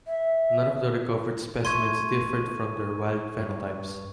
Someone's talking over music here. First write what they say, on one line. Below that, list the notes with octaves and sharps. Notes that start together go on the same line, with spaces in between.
None of the recovered specimens differed from their wild phenotypes.
E5
A3 C6 C#6 G#6 D#7
G2